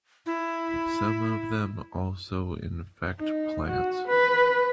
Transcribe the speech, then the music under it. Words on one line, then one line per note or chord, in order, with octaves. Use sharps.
Some of them also infect plants.
E4
D#4
F#4
B4